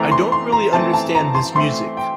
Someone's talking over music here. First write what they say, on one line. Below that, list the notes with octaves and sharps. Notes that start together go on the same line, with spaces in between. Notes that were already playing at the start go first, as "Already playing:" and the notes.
I don't really understand this music.
Already playing: E3 A3 C4 A#5
C6
C6
A#5
E3 A3 C4 A5
A5
A#5
C6
E3 A3 C4 C6
G5